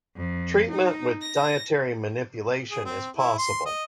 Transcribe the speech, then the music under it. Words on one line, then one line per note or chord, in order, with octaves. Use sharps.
Treatment with dietary manipulation is possible.
F2
D#4
A#6
G#4
C4
E4
C6
D#5